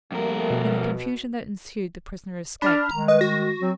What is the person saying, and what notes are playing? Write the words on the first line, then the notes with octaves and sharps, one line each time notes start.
In the confusion that ensued the prisoner escaped.
F2 G3 A3 A#3 A#4
B2
D4 D5 B5 F6
D#3 G3 G#3 A#5
B4 D#5
F#4 A#6
F#3 C4